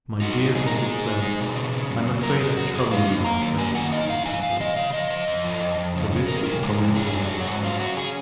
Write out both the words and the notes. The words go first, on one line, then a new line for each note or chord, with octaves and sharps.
My dear and good Friend, I am afraid I trouble you with my querulous epistles, but this is probably the last.
D#4 F#4
B2
D#4 G#4
A#4
G#3
G#4
D#4
G#3
D#4
B2
C#3
C#3
F#2
C#3
F#2 A#4
F3 G#4
F#2 F#4
F#2 G#4
D#4 F5
A#3
A#3 A#5
D#3
A#3 G#5
D#3 F#5
D#4 D#5
D#3 F5
F3 G#5
F2 F5
F3 D#5
C#3 F5
F3 D#5
F3
F2
F3
F2
F2
C#3
C#3
F2 A#4
G#4
C#3 A#4
G#3
F2
C#4 G#4
F#3
G#4
C#4
F#4
G#2
F#3 F4
C#4 F#4
G#4